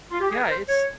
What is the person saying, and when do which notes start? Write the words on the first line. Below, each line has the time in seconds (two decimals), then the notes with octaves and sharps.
Yeah, it's
0.11 F4
0.21 G4
0.30 G#4
0.41 A#4
0.50 C5
0.68 C#5